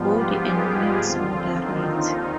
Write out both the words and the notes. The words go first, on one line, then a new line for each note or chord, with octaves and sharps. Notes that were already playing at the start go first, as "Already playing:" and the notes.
Body and limbs moderate.
Already playing: G#2 F3 G3 B3 F4
G3 G4
G#3 G#4
F3 F4
D#2 D3 F3 C4
D#3 D#4